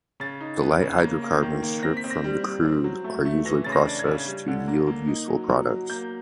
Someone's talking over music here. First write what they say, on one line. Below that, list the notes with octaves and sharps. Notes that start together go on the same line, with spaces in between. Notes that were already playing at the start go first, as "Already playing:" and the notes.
The light hydrocarbons stripped from the crude are usually processed to yield useful products.
C#3 A6
D#4
B3
C#3
A#3
A#3
D#3
A#3
C4 A#6
B6
C4
A#6
G3
G3
C4
F#3
A3
A3
E3 A#6
C#3 A6
A#6
D4
G#6
C#3
G3
D3
A#3
A#3
D#4
F#3
F#3
F#3
A#3 G6